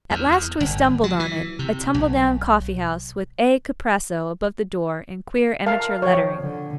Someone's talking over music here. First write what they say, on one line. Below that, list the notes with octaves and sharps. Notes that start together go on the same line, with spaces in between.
At last we stumbled on it--a tumble-down coffee house, with A. Kuprasso above the door in queer amateur lettering.
E2
G1
F#3
E3
C3
B1
A#4 F5 A5
F3 C#5 G5
D3